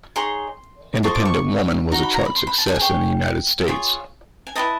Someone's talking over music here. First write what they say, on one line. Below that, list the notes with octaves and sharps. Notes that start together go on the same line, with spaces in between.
"Independent Women" was a chart success in the United States.
D#4 G#4 C#5 C6
F4 A4 C5 D#5 C#6
D6
C#6
D#4 F#4
B5
A#5
B5
C6
B5
A5
G#5
G#4 C#5 G5
F4 G#4 C#5
G#5
E4 G#4 B4 D#5 A5